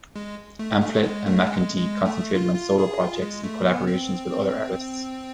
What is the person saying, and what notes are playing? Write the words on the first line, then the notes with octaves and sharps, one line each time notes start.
Amphlett and McEntee concentrated on solo projects and collaborations with other artists.
G#3
A3
A3
G#3
A3
G#3
G#3
A3
F4
F4
G#4
F4
G#3
A3
B3
C4